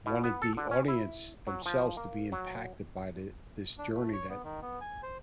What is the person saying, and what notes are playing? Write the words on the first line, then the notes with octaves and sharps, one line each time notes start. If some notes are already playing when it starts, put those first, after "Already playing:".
wanted the audience themselves to be impacted by the this journey that
B2
B3
A4
D3
C#4
E4
F#3
F3
A#3
F#3
D4
A3
C#5
B3
D#3
B3
G#5
C5